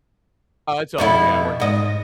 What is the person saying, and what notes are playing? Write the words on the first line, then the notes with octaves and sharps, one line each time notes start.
Oh, it's over, yeah, we're good.
F2 B2 E4
G#2 D#5